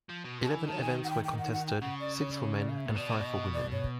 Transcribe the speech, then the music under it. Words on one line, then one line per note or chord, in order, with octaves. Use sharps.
Eleven events were contested, six for men and five for women.
F3
B2
A#2 A5
G#5
E3
D#3 A5
G#5
F#5
G5
G5
F#5
F#5
G5
C#3 F#5
D5
C#5
D5
C#5
D5
F5
E5
A#2
B2 D5
D5
D#5
D5
C#5